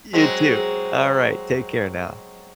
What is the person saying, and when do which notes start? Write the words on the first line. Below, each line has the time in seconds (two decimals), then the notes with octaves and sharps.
you too, alright, take care now.
0.13 F#3 G#3 C4